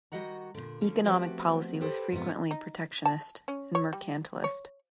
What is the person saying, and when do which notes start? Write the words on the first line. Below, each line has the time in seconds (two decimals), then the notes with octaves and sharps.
Economic policy was frequently protectionist and mercantilist.
0.12 D#3 G3 F#4 D#5 F#5 A#5
0.54 A#2 D3
0.81 D3 F3 F#3 C#4
1.04 F3 A3 B3 C4 F#4 G4
1.80 G4 A4 B4 C5 G5
2.12 G#2 C3 F3 B3 F4
2.51 D#4
3.06 A5
3.48 C#4
3.75 C#5
3.93 G3
4.44 C#5